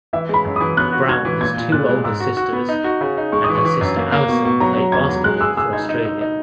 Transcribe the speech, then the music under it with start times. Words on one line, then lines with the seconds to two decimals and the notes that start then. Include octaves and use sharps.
Brown has two older sisters and her sister Allyson played basketball for Australia.
0.13 E3 E5
0.29 G#3 B5
0.44 F#2
0.56 D#6
0.61 E3
0.77 B3 F#6
0.93 F#4
1.09 F#4 G#6
1.25 E3
1.41 A#2 G#6
1.57 A#2
1.72 A#2 F#6
1.89 G#3
2.04 G#2 E6
2.20 F#4
2.37 F#4
2.53 B3
2.69 D#4
2.84 F#4
3.01 C#3
3.17 D#4
3.32 G#3 C#6
3.44 E3 D#6
3.55 C#6
3.65 E3
3.81 F#2
3.97 A#3
4.12 A#3
4.29 B2
4.45 B2
4.60 F#3 A#5
4.77 F#3
4.92 E2 G#6
5.09 F#3
5.24 G#3 F#6
5.41 G#4 E6
5.57 G#4 E6
5.73 D#4 G#6
5.89 D#4
6.05 D#4
6.21 D#4